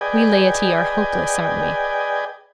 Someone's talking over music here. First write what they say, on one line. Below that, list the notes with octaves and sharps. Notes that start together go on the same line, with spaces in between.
'We laity are hopeless, aren't we?
G#4 B4 D5 D#5 G5 G#5